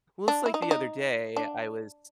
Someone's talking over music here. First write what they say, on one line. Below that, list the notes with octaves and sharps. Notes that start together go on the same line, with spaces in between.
Well, it's like the other day, I was
D4
E4
D#4
D4
D#4
D4